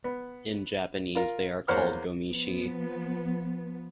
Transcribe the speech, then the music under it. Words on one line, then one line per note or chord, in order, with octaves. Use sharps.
In Japanese, they are called "gomishi".
B3
F4 A#4
E2 A#3 C5 C#5 F#5 F6
F3 B3